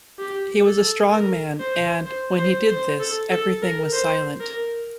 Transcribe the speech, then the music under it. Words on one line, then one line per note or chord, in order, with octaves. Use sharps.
He was a strong man and, when he did this, everything was silent.
G4
A4
A#4
C5
C5
C5
C5
A4
A4
A#4
C5
A#4